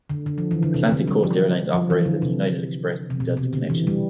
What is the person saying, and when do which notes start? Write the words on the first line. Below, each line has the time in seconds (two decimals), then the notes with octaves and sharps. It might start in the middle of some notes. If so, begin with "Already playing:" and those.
Atlantic Coast Airlines operated as United Express and Delta Connection.
0.10 D3
0.26 D3
0.38 F3
0.51 E3
0.63 D3
0.74 C3
0.92 D3
1.08 G3
1.23 F3
1.73 F3
1.90 E3
2.05 D3
2.22 C3
3.10 C3
3.20 B2
3.37 C3
3.53 D3
3.70 E3
3.87 G3